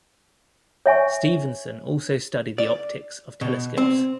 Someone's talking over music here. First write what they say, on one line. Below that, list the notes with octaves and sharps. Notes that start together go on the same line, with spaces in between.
Steavenson also studied the optics of telescopes.
C#5 E5 G#5 C#6
D5
B2
C4